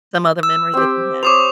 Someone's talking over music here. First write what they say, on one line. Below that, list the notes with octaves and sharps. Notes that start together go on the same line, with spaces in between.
some other memory that you have?
E6
C4 G4
C5 C#5 D6 D#6 F7